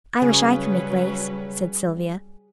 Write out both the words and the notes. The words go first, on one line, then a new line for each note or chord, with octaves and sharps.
"I wish I could make lace," said Sylvia.
C#3 F#3 G3 C#4 G#4 B4